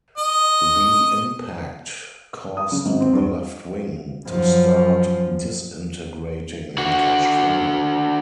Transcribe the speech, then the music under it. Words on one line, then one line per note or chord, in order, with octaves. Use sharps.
The impact caused the left wing to start disintegrating and catch fire.
D#5
D#6
C#3
G#1
C4
G2
F#2 F3
D3 F#4